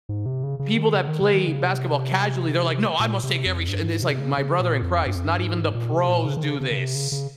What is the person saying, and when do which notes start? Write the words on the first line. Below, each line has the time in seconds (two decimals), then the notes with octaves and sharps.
people that play basketball casually, they're like, "No, I must take every sh" and it's like, "My brother in Christ, not even the pros do this."
0.09 G#2
0.26 C3
0.43 C#3
0.59 C#3
0.77 D#3
0.94 C#3
1.08 D#3
1.20 C#3
1.33 D#3
1.48 C#3
1.63 C3
3.00 A#2
3.23 C3
3.46 F2
3.69 G2
3.86 G#2
4.02 C3
4.20 C#3
4.38 C#3
4.60 A#2
4.82 F2
5.06 G2
5.15 F2
5.25 G2
5.41 G#2
5.75 A#2
5.91 C3
6.09 A#2
6.25 C#3
6.37 D#3
6.43 C#3
6.61 C#3
6.71 C#3
6.77 C3
6.95 C#3
7.12 C#3